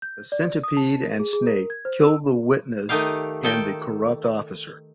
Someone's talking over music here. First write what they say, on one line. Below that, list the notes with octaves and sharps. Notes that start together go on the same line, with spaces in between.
The Centipede and Snake kill the witness and the corrupt officer.
G6
D5
D#6
A5
A#4
G#4
G#4
A#4
G#6
C5
E6
D#3 A3 D#4 G4 F5
D#3 A4 G5